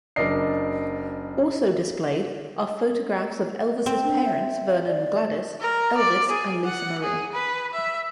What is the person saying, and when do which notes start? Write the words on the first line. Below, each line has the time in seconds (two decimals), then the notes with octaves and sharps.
Also displayed are photographs of Elvis' parents Vernon and Gladys, Elvis and Lisa Marie.
0.16 F#1 D4 A#4 D5 D#5 C7
3.86 C4
4.04 D4
4.25 E5
4.86 D5
5.61 A#4
5.97 D5
6.30 G#4
6.64 F#5
7.03 G#4
7.32 B4
7.73 E5